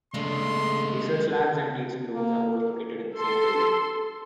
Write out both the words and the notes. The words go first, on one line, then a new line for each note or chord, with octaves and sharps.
Research Labs and teaching rooms are both located in the same building.
G2 C#3 G#3 A3 A4 C6
A#3
A4 C6